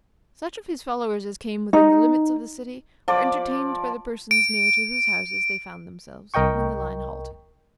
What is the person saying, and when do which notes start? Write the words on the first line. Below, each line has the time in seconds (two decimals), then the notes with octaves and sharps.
Such of his followers as came within the limits of the city were entertained by the persons near to whose houses they found themselves when the line halted.
1.73 D#4
3.08 F3 D5 D6
4.31 D7
6.34 C2 A#4 D#5 G5 C#6